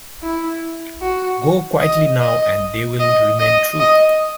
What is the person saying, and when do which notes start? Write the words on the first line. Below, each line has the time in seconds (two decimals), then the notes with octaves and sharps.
Go quietly now, and they'll remain true.
0.23 E4
1.01 F#4
1.81 D#5
2.21 D#5
3.00 D#5
3.39 D#5
3.80 D#5